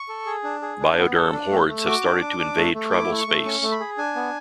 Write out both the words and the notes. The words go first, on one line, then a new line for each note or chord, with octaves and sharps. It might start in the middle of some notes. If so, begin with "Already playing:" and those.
BioDerm Hordes have started to invade tribal space.
Already playing: C#6
A4
G#4
D4
G#4
D4
B3
A4
D4
A3
A3
F#4 D6
D4
D4
D4
A3
A3
E4 D6
A3
C#6
A3
C#4 C#6
A3
B5
G#4
D4 G#5
B3